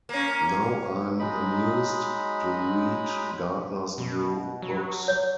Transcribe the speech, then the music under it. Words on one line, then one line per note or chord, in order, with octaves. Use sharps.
Now I'm amused to read Gardner's new books.
A#3 C#4
F#3 G#3 D#4 B5
B2
F#3
C#5